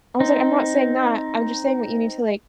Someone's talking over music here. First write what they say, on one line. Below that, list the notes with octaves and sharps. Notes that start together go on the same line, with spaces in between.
I was like, "I'm not saying that, I'm just saying that you need to like
C4 D#4